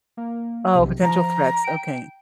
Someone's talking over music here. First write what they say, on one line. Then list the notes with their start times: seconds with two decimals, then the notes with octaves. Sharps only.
Oh, potential threats okay.
0.17 A#3
0.75 B1 C3
1.03 F3 A#5
1.64 G5 D7